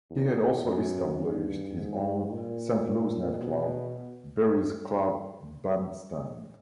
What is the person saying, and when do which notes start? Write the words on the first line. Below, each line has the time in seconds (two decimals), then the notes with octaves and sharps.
He had also established his own Saint Louis nightclub, Berry's Club Bandstand.
0.10 E2
0.66 F#2
1.20 G2
1.76 G#2
2.31 A#2
3.41 B2